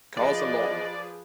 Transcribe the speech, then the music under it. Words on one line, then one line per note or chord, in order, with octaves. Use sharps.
Cars are long.
F3 G#4 B4 D5 D#5